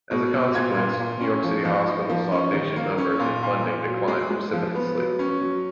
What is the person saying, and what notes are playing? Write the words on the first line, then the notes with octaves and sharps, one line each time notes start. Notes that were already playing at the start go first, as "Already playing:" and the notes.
As a consequence, New York City hospitals saw patient numbers and funding decline precipitously.
B2
B2
A#2 G#6
A#2
A#2
C#4
F3
F3
D#4
F3
C#4
D#3
A#3
C#4
A#2
A#2
A#2
F#3
G#3
G#3
F3
B3
F#3
C#4
F#3